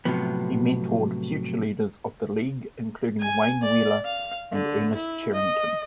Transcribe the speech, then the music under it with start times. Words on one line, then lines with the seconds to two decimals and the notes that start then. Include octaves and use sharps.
He mentored future leaders of the league, including Wayne Wheeler and Ernest Cherrington.
0.05 A2 C3 F3 F#3 B3
3.21 G#5
3.63 D5
4.05 F5
4.53 D3
4.95 E4
5.33 D#5